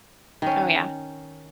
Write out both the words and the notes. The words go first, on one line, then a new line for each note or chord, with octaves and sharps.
Oh, yeah.
D#3 C#4